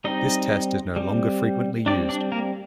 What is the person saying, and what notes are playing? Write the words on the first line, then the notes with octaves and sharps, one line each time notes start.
This test is no longer frequently used.
G3 C4 D#4 D#5
G3 C4
G3 C4 D4 D5
D4 D5
A#3 A#4